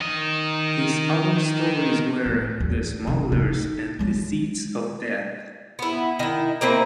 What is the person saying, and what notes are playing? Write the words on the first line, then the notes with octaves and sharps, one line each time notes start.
His other stories were "The Smugglers" and "The Seeds of Death".
D#3 D#5
A2
E2
C3
D#4
F#3 G#3
B3 E4
D#3 E4
A#3 C4 E4 B4